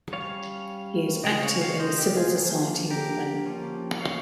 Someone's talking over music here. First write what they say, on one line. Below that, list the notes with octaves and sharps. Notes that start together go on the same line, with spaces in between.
He is active in the civil society movement.
G3 C#4 C#5 F5
C#3 G#3 C4 D#5 G5
C#5 F5
C#5 F5
C5 D#5
D#4 G4
F4 G#4
F3 A#3 C#4
G4 A#4
F3 A#3 C#4
C#5 F5